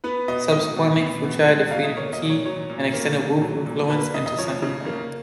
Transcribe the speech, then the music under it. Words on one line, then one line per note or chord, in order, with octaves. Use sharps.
Subsequently, Fuchai defeated Qi and extended Wu influence into central China.
B3 B4
B2 D#5
G#3 D#5
B2
B3
B2
G#3
B2 F5
D#5
A#3 C#5
D#5
A#2
C#5
F#3 C#5
A#2
A#3
A#2
F#3
A#2
A#3 B4
B4
C#3 D#5
D#5
F3 C#5
C#3
A#3